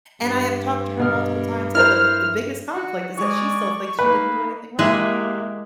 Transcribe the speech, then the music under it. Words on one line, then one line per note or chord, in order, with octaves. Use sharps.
and I have talked to her multiple times, and the the biggest conflict is that she still thinks she didn't do anything wrong.
G2
B2 F6
E4 A#4 C5 F6
F#4
G#3 D5 C#6
A#3 D#4 B4
G#3 A#3 E4 G4 G#4 E5 F#6